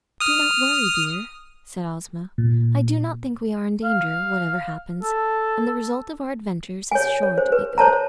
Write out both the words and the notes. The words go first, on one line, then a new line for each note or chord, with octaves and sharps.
"Do not worry, dear," said Ozma, "I do not think we are in danger, whatever happens, and the result of our adventure is sure to be good."
D#6 F6
A#2
F5
A4
C#5 G#5
C#5
C5
B4
C5 C#5 A5 A#5